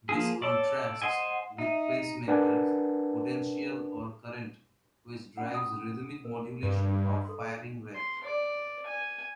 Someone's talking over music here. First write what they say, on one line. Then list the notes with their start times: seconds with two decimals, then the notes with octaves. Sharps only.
This contrasts with pacemaker potential or current which drives rhythmic modulation of firing rate.
0.09 F3 A#3 F4 G#4
0.42 A4 C#5 D5
1.02 C5 D#5 F#5 G#5
1.58 D#4 E5
2.28 D4 A#4 B4 F#5 G#5 A5
5.37 C#4 F4 F#5
5.54 B5 D#6
6.25 A#4
6.63 G2
7.25 A4 C6
7.95 C6
8.24 D5
8.86 G#5